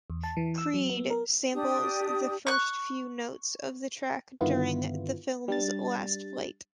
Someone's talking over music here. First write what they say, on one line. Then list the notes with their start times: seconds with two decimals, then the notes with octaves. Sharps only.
"Creed" samples the first few notes of the track during the film's last fight.
0.10 E2
0.24 A5
0.37 E3
0.58 E6
0.74 F#3
0.90 B3
1.10 A#4
1.54 D4 G4 D#6
2.47 C#6 F#6
4.41 G2 D3 D#3 B3 E4 F4
5.48 G3 D4 A6